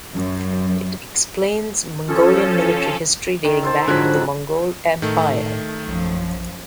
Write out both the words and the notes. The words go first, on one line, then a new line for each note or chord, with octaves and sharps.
It explains Mongolian military history dating back to the Mongol Empire.
F#2
F3 C#4 A4
D#3
A4 C5 A5
F2 G#2 D3 F#3 F#5 B5
A2 D#3 A3
A#1 F#2 F3